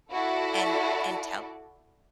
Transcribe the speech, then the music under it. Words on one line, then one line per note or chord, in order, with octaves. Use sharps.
and and tell
E4 F#4 A4 D5